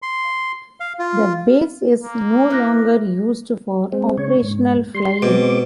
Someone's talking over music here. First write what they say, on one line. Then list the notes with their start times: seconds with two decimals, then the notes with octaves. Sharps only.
The base is no longer used for operational flying.
0.02 C6
0.80 F5
0.99 F4
2.04 A#3
2.50 B3 E4 B4 D6 F#6 A#6
3.92 G#3 C4
4.18 C#3 C#5
4.42 G#2
4.94 G3 C6
5.22 B2 G#3 C4 D6